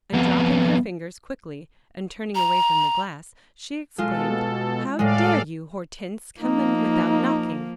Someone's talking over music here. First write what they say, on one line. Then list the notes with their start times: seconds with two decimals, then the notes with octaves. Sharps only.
And dropping her fingers quickly and turning away from the glass, she exclaimed, "How dare you, Hortense, come in without knocking?"
0.13 F2 B3
2.35 A#5
3.98 B2 G#3 F4 A4
4.99 A2 G#3 A4 D5 F5
6.41 F3 A#3 D#4